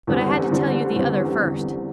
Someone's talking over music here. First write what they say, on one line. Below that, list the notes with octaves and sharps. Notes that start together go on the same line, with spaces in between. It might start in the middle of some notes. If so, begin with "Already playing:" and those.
But I had to tell you the other first.
E2 D3 G3 C4
E2 D3 G3 C4
E2 D3 G3 C4
E2 D3 G3 C4